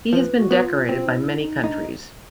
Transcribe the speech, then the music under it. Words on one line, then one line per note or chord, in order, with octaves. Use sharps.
He has been decorated by many countries.
F3 B4
F#4
B3
F4
C4 F4
D#4
E4
D#4
D4 D#4